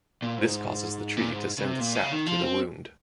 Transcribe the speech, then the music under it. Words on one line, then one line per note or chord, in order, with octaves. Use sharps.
This causes the tree to send the sap to the wound.
A#2
G#2
A#2
G#2
C#3
C3
A#2
C#3
D#3
F3
C4